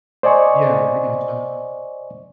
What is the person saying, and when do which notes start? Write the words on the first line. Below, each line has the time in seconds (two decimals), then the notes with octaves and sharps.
Yeah, I gotcha.
0.23 C5 D5 D#5 G#5 C#6